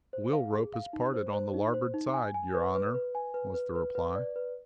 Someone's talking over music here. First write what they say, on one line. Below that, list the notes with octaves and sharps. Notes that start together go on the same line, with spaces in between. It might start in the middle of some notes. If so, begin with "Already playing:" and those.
"The wheel rope has parted on the larboard side, your honor," was the reply.
C5
F5
G#4
F5
D#4
C5
C5
D#4
C5
D#4
G#5
G#5
B4
B4
B4
G#5
B4
B4
B4
B4
D5
B4